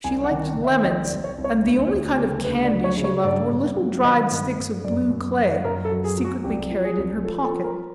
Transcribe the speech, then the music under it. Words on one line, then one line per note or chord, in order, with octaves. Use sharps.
She liked lemons, and the only kind of candy she loved were little dried sticks of blue clay, secretly carried in her pocket.
C2 G#5
F#5
D#3
D#3
E5
C2 D#5
D5
C2
C#5
C2
C#5
D2
D2
C#3
D2 B4
D5
F#3
C#5
C#3
C#5
G2 D5
G2
F#3
D#3 D#5
G2
G2
F#2 D5
F#2
F#2
F#2 A#4
A4
F#3
G#4
F#3
F#4
C2 G4
F3
G#4
C2
F3 A4
A4
F3
A#4